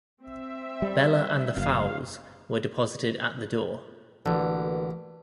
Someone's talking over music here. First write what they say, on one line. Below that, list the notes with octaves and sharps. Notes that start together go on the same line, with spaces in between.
Bella and the fowls were deposited at the door.
C4 E5
G3
F#1 F#2 F5
A1 D3 A#3 F#4 B4